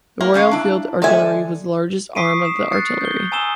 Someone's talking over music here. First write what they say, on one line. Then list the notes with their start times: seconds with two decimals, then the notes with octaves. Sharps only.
The Royal Field Artillery was the largest arm of the artillery.
0.21 A#3
0.34 G#3 C#4 F5
0.51 D4 E4
1.02 G#3 A4 D5 E5 G#5
2.15 C#6 D#6 B6 C7 D7 D#7
2.45 E7
2.72 F#6 A6 C7 C#7
3.01 G6 G7
3.32 G#5 A#5 D#6 E6 E7 G7